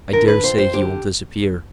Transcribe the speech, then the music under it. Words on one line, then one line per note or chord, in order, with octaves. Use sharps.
I daresay he will disappear.
D3 A#4
B4
F2 C5
C5
D3 G4